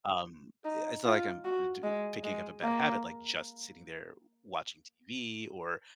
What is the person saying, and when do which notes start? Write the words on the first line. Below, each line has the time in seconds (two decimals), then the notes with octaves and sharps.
um, eh it's not like I'm d picking up a bad habit, like, just sitting there watching TV, or
0.65 D#4
1.05 F4
1.45 F#4
1.84 G#3
2.24 G#3
2.63 A#3